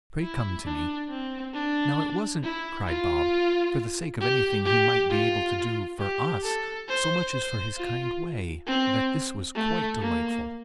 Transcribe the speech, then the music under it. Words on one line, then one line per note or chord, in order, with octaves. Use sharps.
Pray come to me.' Now, it wasn't," cried Bob, "for the sake of anything he might be able to do for us, so much as for his kind way, that this was quite delightful.
E4
D4
C4
D4
E4
F4
G4
G4
F4
G4
A4
C5
C5
F4
C4
A3
A#3